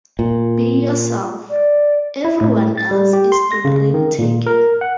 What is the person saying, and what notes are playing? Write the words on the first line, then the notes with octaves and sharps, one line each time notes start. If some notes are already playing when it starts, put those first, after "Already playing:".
Be yourself; everyone else is already taken.
A#2
D5
E4
A2
A6
G3
G4
C6
A#6
C#3
D#3
A#2
A#4
F#5